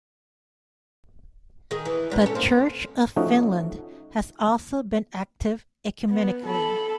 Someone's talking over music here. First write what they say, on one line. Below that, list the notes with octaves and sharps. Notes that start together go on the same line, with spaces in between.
The Church of Finland has also been active ecumenically.
D#3 G#4
E3
E2 G#2 B2
C#4 A4
A#3 C4
F3 A3 C#4 D#4 F#4
B3
A4 B5